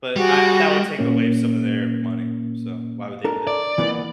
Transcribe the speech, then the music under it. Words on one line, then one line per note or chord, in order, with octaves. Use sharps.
But, I that would take away some of their money. So, why would they do that?
G3 F#4 G#4
A#2 A#3 C#4
D4 A4 A#4
D5
E3 A#3 B3